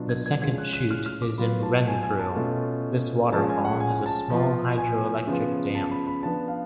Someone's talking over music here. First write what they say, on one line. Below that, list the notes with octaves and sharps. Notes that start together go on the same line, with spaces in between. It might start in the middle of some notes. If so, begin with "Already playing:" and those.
The Second Chute is in Renfrew; this waterfall has a small hydroelectric dam.
Already playing: B2 F#3 B3 D4 F4
G#6
G#6
F3 G#3 C#4 F4 G#6
F#6
F#6
F6
F6
D6
F#3 B3 F4 B5
A5
G#5
G#5
A5
B2 A3 C#4 F4
F3 G#3 C#4 F4 A5
G#5
F#5
G#5
A5
F3 B3 F4
G#5
C#3 F3 B3 F4
A5
B5
B5
F3 B3 D4 A5
F5